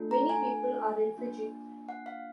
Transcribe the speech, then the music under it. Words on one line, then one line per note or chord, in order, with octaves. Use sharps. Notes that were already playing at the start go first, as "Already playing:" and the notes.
Many people are in Fiji.
Already playing: A3 D4 F4 A4
A#5
G#5
A#3 D4 F4
F#5
F5